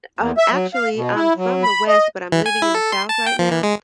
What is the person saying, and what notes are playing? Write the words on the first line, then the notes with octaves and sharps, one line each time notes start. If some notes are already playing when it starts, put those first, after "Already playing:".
Um, actually, I'm from the West, but I'm living in the South right now,
E2
E5
F#3
F5
B2
E4
F#3
B5
D#5
E3
G#5
E4
A4
C6
A5
G5
F3
E3
G#3